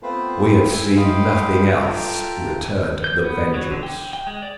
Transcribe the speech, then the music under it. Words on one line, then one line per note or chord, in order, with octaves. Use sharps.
"We have seen nothing else," returned The Vengeance.
A3 B3 C4 F4 B4 C5
E5 G#5 E6
D#5 F5 G5 B5 C6
F4 A4 E5 G5 A#5
G6
B3
F#3
D3
G5
G5
G#3
D5